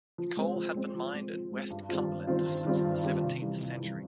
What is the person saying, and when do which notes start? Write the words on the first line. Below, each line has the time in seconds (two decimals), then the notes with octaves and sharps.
Coal had been mined in West Cumberland since the seventeenth century.
0.18 F3
0.37 G#3 C4
0.56 F3
0.75 G#3 C4
0.95 F3
1.13 G#3 C4
1.33 F3
1.52 G#3 C4
1.70 G2
1.89 D#3 G3 C4 F4
2.08 G2
2.27 D#3 G3 C4 F4
2.46 G2
2.65 D#3 G3 C4 F4
2.85 G2
3.03 D#3 G3 C4 F4
3.23 C3
3.42 E3 G3
3.60 C3
3.80 E3 G3